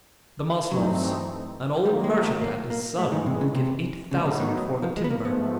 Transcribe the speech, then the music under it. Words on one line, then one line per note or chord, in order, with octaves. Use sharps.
The Maslovs, an old merchant and his son, will give eight thousand for the timber.
G2 E3 F#3 A3 C4 D#4
D#3 F#3 G3 A#3
G#3
A3
A#3
A#3
G2 E3 G#3 A3
D#3
C3
C#3
C3
A2 C#3 F#3 B3 D#4
D3
D#3
F3
G#3
B3
A#3
G#2 F3 A3 B3